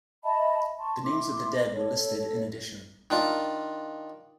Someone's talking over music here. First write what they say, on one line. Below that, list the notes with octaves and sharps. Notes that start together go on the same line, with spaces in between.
The names of the dead were listed in addition.
D#5 E5 A5 B5
A5 C6 C#6
E4 C6 D6
A4 C#5
D#3 D4 F4